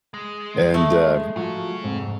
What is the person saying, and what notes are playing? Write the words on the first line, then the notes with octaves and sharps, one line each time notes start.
and, um
G#3
A3
F3 F#3 F4 G#4 C#5
F2 G#2 C3